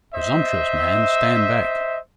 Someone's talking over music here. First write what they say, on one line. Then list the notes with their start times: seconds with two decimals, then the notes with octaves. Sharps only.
Presumptuous man, stand back.
0.14 C5 D#5 E5